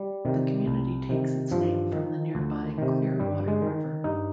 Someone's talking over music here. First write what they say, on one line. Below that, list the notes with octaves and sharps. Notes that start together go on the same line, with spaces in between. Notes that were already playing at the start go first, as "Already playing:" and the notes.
The community takes its name from the nearby Clearwater River.
Already playing: G3
C3 D#3
C2
C3 D#3
G2 F3
D#3
D2
C3 D#3
G2 G3
G#3
D#3
G2 D#4